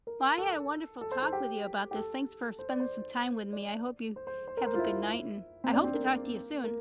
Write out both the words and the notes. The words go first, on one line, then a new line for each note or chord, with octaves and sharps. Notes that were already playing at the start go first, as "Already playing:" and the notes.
Well, I had a wonderful talk with you about this, thanks for spending some time with me, I hope you have a good night, and I hope to talk to you soon.
A#4
A4
A4
C5
A4
G4
G4
A4
C5
D5
C5
D5
C5
C5
C5
A#4
C5
F4
E4
C4
D4
C4
A#3
A#3
A#3